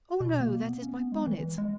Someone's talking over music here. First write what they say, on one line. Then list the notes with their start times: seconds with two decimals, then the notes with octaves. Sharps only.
'Oh no! that is my bonnet.
0.20 B2
0.41 A#3
0.61 B3
0.82 C#4
0.97 B3
1.12 G#3
1.22 G3
1.27 E3
1.58 G#3